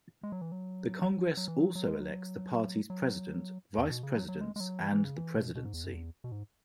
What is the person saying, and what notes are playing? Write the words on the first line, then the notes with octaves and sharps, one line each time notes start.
The Congress also elects the party's President, Vice Presidents and the "Presidency".
G#3
F#3
E3
F#3
F#3
E3
F#3
F#3
G#3
F#3
F#3
E2
B2
C#3
F#3
F#3
G#3
G#3
F#3
E3
E3
C#3
E3
B2
B2
G#2
E2
F#2
E2
B2
G#2